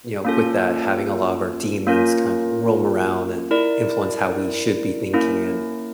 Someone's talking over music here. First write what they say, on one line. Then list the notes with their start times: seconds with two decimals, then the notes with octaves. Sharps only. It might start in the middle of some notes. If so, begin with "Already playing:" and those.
you know, with that having a lot of our demons kind of roam around and influence how we should be thinking and
0.25 A#3 C#4 F4 A4
1.87 A#3 C#4 F4 A#4
3.51 E4 A#4 D5
5.13 A#3 C#4 E4 A#4